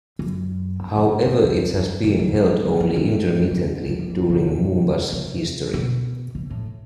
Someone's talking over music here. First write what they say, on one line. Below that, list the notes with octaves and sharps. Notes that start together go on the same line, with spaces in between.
However it has been held only intermittently during Moomba's history.
F#2
G2
G#2
A2
E2
G2
C3
F#3
G3
F3
G3
A3
A#3
B3
F#3
F3
E3
C#3
C#3
B2
C3
B2
B2
A2